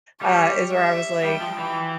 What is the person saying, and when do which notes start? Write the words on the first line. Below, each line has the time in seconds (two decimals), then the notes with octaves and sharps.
uh, is where I was like,
0.22 G3 C#5
0.73 E5
1.24 G3 G5
1.41 F3
1.58 E3